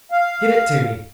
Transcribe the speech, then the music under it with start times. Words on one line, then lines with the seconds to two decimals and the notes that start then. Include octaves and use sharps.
Give it to me!
0.11 F5